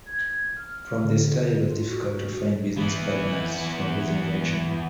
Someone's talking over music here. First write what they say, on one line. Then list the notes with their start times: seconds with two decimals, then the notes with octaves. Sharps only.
From the start it was difficult to find business partners for his invention.
0.06 G#6
0.57 F6
1.02 D3
1.68 F4
1.88 F#4
2.77 E3 B3